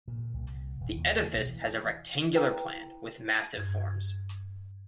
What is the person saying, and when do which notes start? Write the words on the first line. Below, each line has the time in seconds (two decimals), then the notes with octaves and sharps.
The edifice has a rectangular plan, with massive forms.
0.08 A#2
0.34 C2
0.80 D#1
0.96 D#2
1.34 B1
1.49 E3
2.33 E4 A4 B4 G5 A#5
3.57 G2 G#6